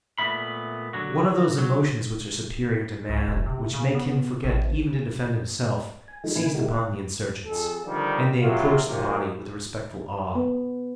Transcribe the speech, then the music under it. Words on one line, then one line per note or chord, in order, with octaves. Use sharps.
One of those emotions which are superior to man, which make him forget even to defend himself, seized upon the insurgents, and they approached the body with respectful awe.
A#2 A3 B3 E5 B5
D3 F#3 F#4
F#3
C#2
E1
C3
C#3
B3
A1
G#5
D#3 F3 G#3 A3 D#4
A2 C#3 A#3 E4 B4 G#5
G#3 D#4 E4 F#4 G4 A#4
F#5
F2 G#4 A4
D3 D#3 F3 G3
C3 F#3 F4
G#1 C3 F3 A#3
B3